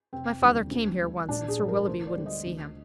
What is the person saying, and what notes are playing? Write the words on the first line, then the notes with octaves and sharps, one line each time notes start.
My father came here once, and Sir Willoughby wouldn't see him.
F1 C4
D#2 D3 G3
D2
D3 G3
A#1 D4
G#4
G#2 F3
A#4
D2 C5
D5
D3 G3
D#5
D2